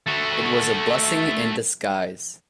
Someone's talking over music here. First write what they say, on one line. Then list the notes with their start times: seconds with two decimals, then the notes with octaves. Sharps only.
It was a blessing in disguise.
0.07 A3 F#4